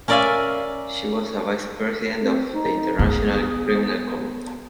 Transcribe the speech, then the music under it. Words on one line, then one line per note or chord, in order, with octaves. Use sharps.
She was a Vice-President of the International Criminal Court.
C#4 A#4 D5 E5 F5 G#5
C4
D#4
B3 G#4